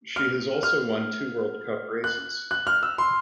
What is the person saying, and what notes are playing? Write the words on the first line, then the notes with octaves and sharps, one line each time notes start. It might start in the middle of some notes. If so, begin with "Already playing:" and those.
She has also won two World Cup races.
F6
F6
F#6
F#6
F6
E6
C6